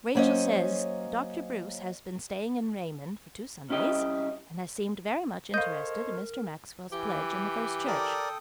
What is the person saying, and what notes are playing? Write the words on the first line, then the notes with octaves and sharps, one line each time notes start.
"Rachel says Dr. Bruce has been staying in Raymond for two Sundays and has seemed very much interested in Mr. Maxwell's pledge in the First Church."
F#3 A#3 C#4 C5 D#5
C2 C#4 E4 G4 D#5
A4 A#4 C5 C#5 D#5 F5 G6
E3 G4
A4 A#4 D5 G5 D#6